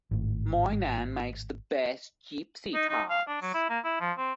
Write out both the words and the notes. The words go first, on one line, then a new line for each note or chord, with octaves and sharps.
My nan makes the best Gypsy tarts.
G#1 A2
D#4
D#4
F5
D4
F#3
E4
A#3
E4
F3
C4